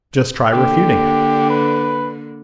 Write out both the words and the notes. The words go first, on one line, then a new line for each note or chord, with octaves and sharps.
Just try refuting it.
D3 A#3 G4
B4